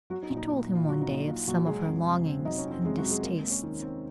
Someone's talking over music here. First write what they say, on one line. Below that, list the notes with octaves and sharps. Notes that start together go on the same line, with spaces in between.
She told him one day of some of her longings and distastes.
F#3 F#4
D#4
A#1
D#4
A#2 D#4
A#1
F4
F#3 F#4
D#4
A#1
D#4
A#2 F4
A#1 F#3 F#4
F#3 G#3 G#4
F2
C3
C4
F#3 D#4 D#5
C#4 C#5
F2
C4 C5
C3 G#3 G#4
F#3 F#4
C4
G#3 G#4
G#3 A#3 A#4
D#2
C#4 C#5
D#3
C4